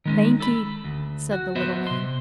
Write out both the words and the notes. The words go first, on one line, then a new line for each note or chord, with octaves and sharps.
"Thankee," said the little man.
D#3 G#3 C#4
A4 B5
D2
F#4
B3 F#4 C5 D#5 E5
C3 C6